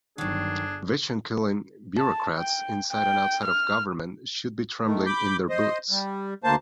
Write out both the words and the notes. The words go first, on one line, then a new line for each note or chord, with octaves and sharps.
Vision-killing bureaucrats inside and outside of government should be trembling in their boots.
G1 D#3 F#3 D4 G#4
A5
G5
G5
F6
D#3 A3
B5 D6 G6
C5 D#5
G3
D2 A#3 C5 A5